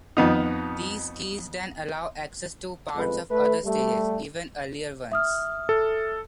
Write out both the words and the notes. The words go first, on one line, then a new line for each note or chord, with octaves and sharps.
These keys then allow access to parts of other stages, even earlier ones.
F2 B3 D#4
A1 F2 G#3 B4
A3 B4
G3 A3
E5 D#6 F6
A4